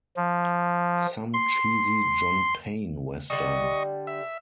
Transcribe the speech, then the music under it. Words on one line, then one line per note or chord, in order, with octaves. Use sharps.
Some cheesy John Payne western.
F3
C6
D3 G3 D#5 C#6
E5